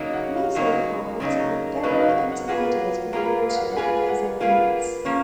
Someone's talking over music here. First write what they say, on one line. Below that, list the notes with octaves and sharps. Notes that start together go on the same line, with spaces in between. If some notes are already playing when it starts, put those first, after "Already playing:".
Mesophytes are very intermediate in water use and needs.
Already playing: C#3 F#3 A#3 D#4
F#5
F5
C#3 F#3 A#3 D#4
C#3 F#3 A#3 D#4 D#5
C#3 F#3 A#3 D#4 B4
D#5
F5
F#5
F#5
A#3 F4 G#4 B4 F#5
A#3 F4 G#4 B4 A#5
F5
F#5
F#5
A#3 F4 G#4 B4 G#5
F#5
A#3 F4 G#4 B4 F5
F3 A#3 C#4